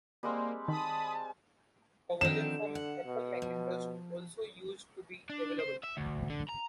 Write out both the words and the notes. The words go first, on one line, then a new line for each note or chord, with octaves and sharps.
A version for Apple Macintosh also used to be available.
G3 G#3 A#3 C4
D#3 A5 B5 D#6
D3 D#3 F3 C4 E7
F#5
B2
F3
D4
C5
E5
D2
D3
A#5